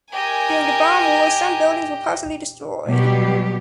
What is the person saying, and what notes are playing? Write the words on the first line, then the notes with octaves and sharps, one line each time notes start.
During the bomb war some buildings were partially destroyed.
G4 A#4 D#5 G#5
B2 F#3 G3 B3 G4